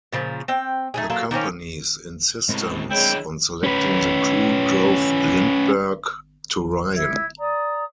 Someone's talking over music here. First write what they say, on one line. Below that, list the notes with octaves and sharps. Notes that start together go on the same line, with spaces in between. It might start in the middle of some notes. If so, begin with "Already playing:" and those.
The company's insistence on selecting the crew drove Lindbergh to Ryan.
A#2 C#3 F3
C4 G5
A3 D#4 G#4
F#3 A#3 F4 A4
D#3 A#3 C4 C#4
A2 C#3 G#3 C4 A#4
D3 E4 G#4 C#5 D#5 G5
C#4 B4
E4 E5 E6 G#6
D5 A#5 D#6